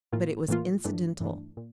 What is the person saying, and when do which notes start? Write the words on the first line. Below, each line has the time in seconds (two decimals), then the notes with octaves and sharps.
But it was incidental.
0.12 A2 E3 A#3 F4
0.48 A2 E3 A#3 F4
0.84 G2 E3 A3 D4
1.20 G2 E3 A3 D4
1.57 A#2